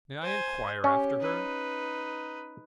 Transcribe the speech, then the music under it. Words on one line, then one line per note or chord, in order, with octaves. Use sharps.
May I enquire after her?
C5 G#5
C#4 G4
D#4 B4